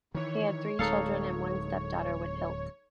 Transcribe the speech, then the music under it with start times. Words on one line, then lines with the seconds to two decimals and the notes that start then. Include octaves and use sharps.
He had three children and one stepdaughter with Hilt.
0.15 D#3 E3 C#5
0.79 D1 G#3 D#4 A4 F5